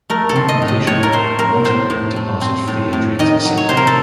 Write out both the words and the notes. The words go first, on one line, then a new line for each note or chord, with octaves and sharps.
Upon completion, "Monterey" departed for the Adriatic Sea.
A3 A#4
A4
C4
D#5
A2
D#5
A2 C#5
A#4
A3 C5
C4 A#4
A2 C5
A2
A3
C4
A2
A2
D#3 D#5
F#3
C#5
C3 C5
A#4
A4